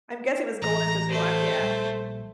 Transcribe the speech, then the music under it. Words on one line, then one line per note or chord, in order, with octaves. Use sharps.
I'm guessing it was Golden since we went yeah.
A1 A#5
A3 C5
A#1 G3